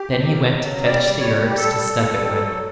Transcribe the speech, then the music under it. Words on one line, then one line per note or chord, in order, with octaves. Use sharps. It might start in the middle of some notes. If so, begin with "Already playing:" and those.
Then he went to fetch the herbs to stuff it with.
Already playing: G4
F#3
C#3
F#3
C#3
G3 D5
G3 D5
G3 C#5
G3
G4
G3 A4
G3
G3
B2
F#3
F#3